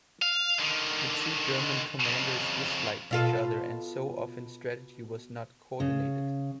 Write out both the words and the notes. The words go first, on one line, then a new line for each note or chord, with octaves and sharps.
The two German commanders disliked each other, and so often strategy was not coordinated.
F5
D3 D#3
F2 C#3
B2 F4 A4
C#3